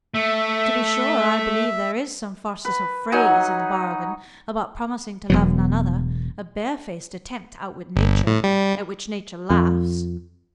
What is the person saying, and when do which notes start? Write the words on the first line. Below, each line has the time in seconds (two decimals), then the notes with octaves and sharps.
To be sure, I believe there is some farcical phrase in the bargain about promising to love none other,--a bare-faced attempt to outwit Nature,--at which Nature laughs.
0.14 A3 E5
2.65 B4
3.12 F#3 D#4 F#5 G#5
5.30 E1 B2 F#3
7.96 G1
8.27 A2
8.44 G3
9.50 F2